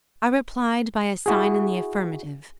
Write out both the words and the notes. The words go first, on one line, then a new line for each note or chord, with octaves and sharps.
I replied by a sign in the affirmative.
E4 F#4 G#4